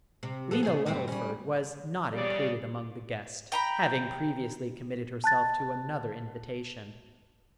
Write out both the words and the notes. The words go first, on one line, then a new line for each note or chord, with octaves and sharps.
Lena Luddleford was not included among the guests, having previously committed herself to another invitation.
C3
F3 B3 A4
C#3 A3 G#4
G2 B3 C4
G3 C#4
C#3 G3 D5
G5 A#5 B5
A5 F#6 A6